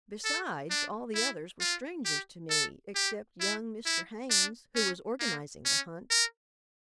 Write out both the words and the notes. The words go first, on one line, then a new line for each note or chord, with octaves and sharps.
Besides, all the others were strangers to me except young Mr. Haynes, who was organizing the hunt.
A4
D4
E4
F4
G4
A4
G4
E4
E4
D4
C#4
A#3
C#4
A#4